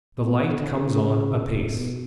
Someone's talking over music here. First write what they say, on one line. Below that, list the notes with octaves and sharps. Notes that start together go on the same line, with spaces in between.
The light comes on apace.
B3
D3
C#3
B2